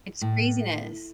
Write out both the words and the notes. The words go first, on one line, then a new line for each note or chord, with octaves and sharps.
It's craziness.
A2